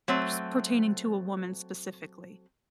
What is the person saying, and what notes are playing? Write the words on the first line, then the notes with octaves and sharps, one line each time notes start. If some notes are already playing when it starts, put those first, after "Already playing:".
s pertaining to a woman, specifically,
F#3 A3 C4